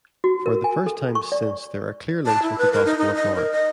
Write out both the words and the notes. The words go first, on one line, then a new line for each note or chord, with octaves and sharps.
For the first time since there are clear links with the Gospel of Mark.
F#4
A#4
G#5
A4
C#6
D5
A5
E4
B4
A#4
D#4
D#4
D#5
A#4
D#5